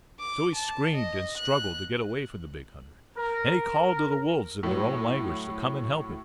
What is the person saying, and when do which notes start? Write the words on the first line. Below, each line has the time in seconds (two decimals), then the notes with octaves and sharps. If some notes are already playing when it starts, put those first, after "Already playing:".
So he screamed and struggled to get away from the big hunter, and he called to the wolves in their own language to come and help him.
0.20 D6
0.55 A5
0.95 D#5
1.37 F#6
3.17 A#4
4.63 A2 F#3